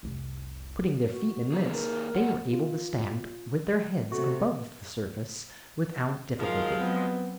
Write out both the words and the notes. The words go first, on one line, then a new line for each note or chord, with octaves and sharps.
Putting their feet in this, they were able to stand with their heads above the surface without difficulty.
F1 C2
F#4
A#3 D#4 G#4
A#4
A#2 A3 F#5
F4
C3 A3 F#4
D#3 F3 F#3 G#3 A#4 F5
B3 C4